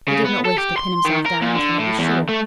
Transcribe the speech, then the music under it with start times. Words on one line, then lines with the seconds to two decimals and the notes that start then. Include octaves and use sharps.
He did not wish to pin himself down until he was sure.
0.08 C#3
0.25 B3
0.45 A4
0.58 G4
0.78 C6
1.05 D#3
1.26 A#4
1.42 A#2
1.55 D3
1.79 A2
1.99 E2
2.29 A3